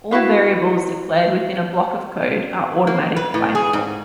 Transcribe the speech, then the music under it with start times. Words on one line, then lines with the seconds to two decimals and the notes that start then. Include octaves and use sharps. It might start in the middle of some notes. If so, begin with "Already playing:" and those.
All variables declared within a block of code are automatic by default.
0.11 E4 F#4 B4 F5
2.87 A#3
3.16 B4
3.34 A2
3.55 G#4
3.73 G#2